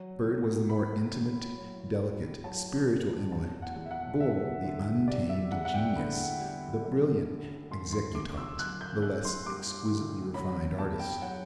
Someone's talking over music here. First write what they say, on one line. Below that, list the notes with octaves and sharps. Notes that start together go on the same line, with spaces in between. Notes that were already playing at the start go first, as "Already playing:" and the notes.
Byrd was the more intimate, delicate, spiritual intellect; Bull the untamed genius, the brilliant executant, the less exquisitely refined artist.
Already playing: F#3
A2
A2 B5
A2
F#3
A2
F#3 A5
A2
E2 A5
F#5
E2
E5
F#5
E2 E5
D3
G3 D5
E5
E2 F#5
F#5
G5
D3 B5
G3
F#2
D3
F#2 C6
C6
D3 D6
E6
F#2 F#6
G6
F#2 F#6
C6
G3 D6
D3
F#3 B5
E2 A5
G5
F#3 F#5